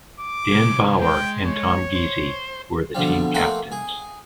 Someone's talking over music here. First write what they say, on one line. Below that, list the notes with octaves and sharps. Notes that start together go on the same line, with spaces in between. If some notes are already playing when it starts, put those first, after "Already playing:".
Dan Bauer and Tom Gizzi were the team captains.
D6
C3 G#4
G#3 G5
C#5
C5
B2 D3 F3 G3
A3 A#3 C4 C5 F#5 G5
G#4